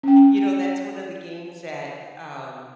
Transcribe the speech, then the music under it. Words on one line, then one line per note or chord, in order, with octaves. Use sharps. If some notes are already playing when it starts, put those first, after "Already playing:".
you know, that's one of the games that, um,
C#4 G5